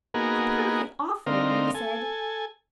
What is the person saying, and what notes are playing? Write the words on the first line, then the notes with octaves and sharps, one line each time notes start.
"How perfectly awful," Wendy said.
A#3 B3 D#4 F#4 G#4 A#4
D3 C4 D#4 A#4 F5
A4 G#5